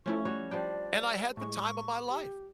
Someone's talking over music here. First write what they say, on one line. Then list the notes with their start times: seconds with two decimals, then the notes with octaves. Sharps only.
and I had the time of my life.
0.06 F3 A3 C#4 E4 C#6
0.25 G3 F#4 C#5
0.51 F3 G3 D4 D5 G5
1.37 A2 G#3 C#6
2.09 G4